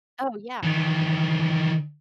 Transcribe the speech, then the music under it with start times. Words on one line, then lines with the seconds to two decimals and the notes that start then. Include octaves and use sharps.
Oh, yeah.
0.63 D#3 E3